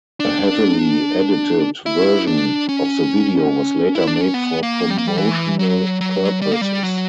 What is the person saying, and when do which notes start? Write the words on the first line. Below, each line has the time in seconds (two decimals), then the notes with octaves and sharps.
A heavily edited version of the video was later made for promotional purposes.
0.20 D4
1.86 E4
2.27 D4
2.69 C#4
3.95 E4
4.07 D4
4.21 C#4
4.34 B3
4.63 A#3
4.90 G3
4.98 A#3
5.07 G3
5.17 E3
5.59 F#3
6.01 F#3
6.42 G3
6.52 A#3
6.61 G3
6.83 F#3